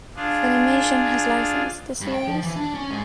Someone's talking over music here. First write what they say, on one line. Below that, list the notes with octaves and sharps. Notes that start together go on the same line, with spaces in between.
Funimation has licensed the series.
D4 F4 G#4
G2
G5
F3
E3
D4
C#4
G#2